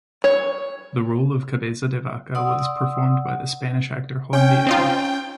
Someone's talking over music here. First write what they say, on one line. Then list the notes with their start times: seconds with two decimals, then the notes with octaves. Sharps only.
The role of Cabeza de Vaca was performed by the Spanish actor Juan Diego.
0.24 C#5
2.35 D5 F#5 C6 D#6 E6
4.33 C#4 G5
4.67 C4 D#4 F4